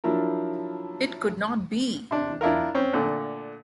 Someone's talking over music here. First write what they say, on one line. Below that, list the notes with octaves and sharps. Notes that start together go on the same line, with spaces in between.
It could not be!
F3 F#3 D4 E4 A#4
C3 D4
D4 E4 F4 A#4
C4 C#4
A#2 D3 A3